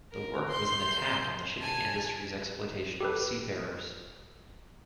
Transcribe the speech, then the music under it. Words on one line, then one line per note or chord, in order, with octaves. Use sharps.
The work was an attack on the shipping industry's exploitation of seafarers.
A#4
C6 G6
G#5 A5
G4 A4 B4